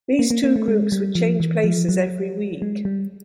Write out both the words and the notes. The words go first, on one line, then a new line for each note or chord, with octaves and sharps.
These two groups would change places every week.
A#3
A#3
A#3
A3
G#3
G3
F3
E3
F3
F#3
G#3
G3